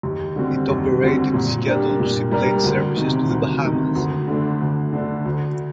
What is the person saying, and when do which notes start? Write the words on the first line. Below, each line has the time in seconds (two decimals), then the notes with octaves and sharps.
It operated scheduled seaplane services to the Bahamas.
0.03 D#2
0.36 D3 G3 C4 F#4
0.69 D#2
1.02 D3 G3 C4 F#4
1.34 A#2
1.67 G3 D4 G4 A#4
1.99 A#2
2.31 G3 D4 G4 A#4
2.64 D2
2.97 C3 D#3
3.29 D2
3.63 C3 D#3
3.95 D2
4.28 D3 A3 D4
4.61 D2
4.93 D3 A3 D4
5.25 D2